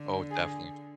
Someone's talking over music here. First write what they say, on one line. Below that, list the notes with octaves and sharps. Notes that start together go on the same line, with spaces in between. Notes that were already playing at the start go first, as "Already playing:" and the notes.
Oh, definitely.
Already playing: D3
G#4